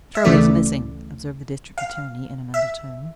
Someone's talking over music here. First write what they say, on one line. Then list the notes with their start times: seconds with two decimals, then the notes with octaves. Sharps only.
"Shirley is missing," observed the district attorney, in an undertone.
0.15 E5
0.25 D2 C#3 E3 A3 D5
1.78 F5
2.54 E5